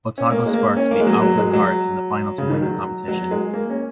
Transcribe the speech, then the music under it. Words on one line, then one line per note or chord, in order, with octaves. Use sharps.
Otago Sparks beat Auckland Hearts in the final to win the competition.
C#4
A#3
G#3
A#3
C#4
A#3
G#3
F#3
F#3
G#3
F#3
C#3
D#3
F#3
F#3
G#3
A#3
C#4